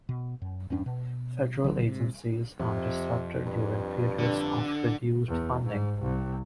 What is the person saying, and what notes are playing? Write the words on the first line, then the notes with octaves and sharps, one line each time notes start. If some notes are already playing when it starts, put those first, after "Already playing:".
Federal agencies are disrupted during periods of reduced funding.
B2
F#2
E2 G2 C#4 D4
B2
A#1 D3 F#3
G#2 C3
F2 C3
G2
D3
E2
G#2
C2